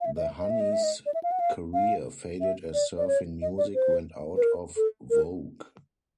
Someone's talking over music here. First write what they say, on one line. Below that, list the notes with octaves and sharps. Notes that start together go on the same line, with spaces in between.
The Honeys' career faded as surfing music went out of vogue.
F5
E5
D#5
E5
D#5
E5
D#5
E5
D#5
D5
E5
F5
F#5
F5
F5
E5
D5
D5
C#5
D#5
D5
C5
B4
A#4
A4
A#4